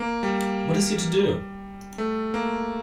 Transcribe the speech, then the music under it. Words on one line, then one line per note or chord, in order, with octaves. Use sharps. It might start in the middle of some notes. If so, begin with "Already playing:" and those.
What is he to do?
Already playing: A#3
G3
A3
A#3